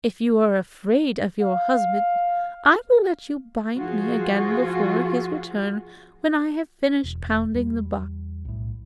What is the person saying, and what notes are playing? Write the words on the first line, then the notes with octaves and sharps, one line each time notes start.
If you are afraid of your husband, I will let you bind me again before his return when I have finished pounding the barley.
F5
F3 F4 F#4 G#4
E1
E2 G3
B1 A2